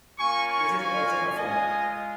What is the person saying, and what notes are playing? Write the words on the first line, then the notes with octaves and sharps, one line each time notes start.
This is also a "fault".
A#3 C#4 F4 G#5 C#6
G#5 C#6
G#5 C#6
G#3 F4 D#5 G#5